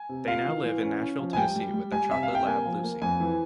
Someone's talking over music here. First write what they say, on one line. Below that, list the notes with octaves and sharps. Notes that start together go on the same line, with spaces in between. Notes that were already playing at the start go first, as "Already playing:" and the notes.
They now live in Nashville, Tennessee with their chocolate lab, Lucy.
Already playing: G#5
C3
F4 F5
E3
E3
C#4
C#4
F3
G#5
G3 G5
G3
G3
G3 G#5
C3 E5
F5
C3
G5
A#3 G#5
F3
A#3
F2 G#5
E3